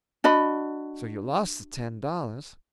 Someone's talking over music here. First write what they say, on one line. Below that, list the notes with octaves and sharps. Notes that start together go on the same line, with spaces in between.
"So you lost the ten dollars."
D4 F#4 D#5 B5